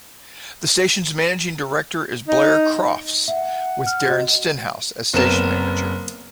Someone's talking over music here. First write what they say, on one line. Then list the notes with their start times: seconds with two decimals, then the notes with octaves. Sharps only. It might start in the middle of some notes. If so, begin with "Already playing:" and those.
The station's managing director is Blair Crofts with Darren Stenhouse as station manager.
2.28 D#4
3.28 E5 F#5
3.87 F6
4.07 F#4 D#5
5.14 F#1 B3 C4 A#4 E7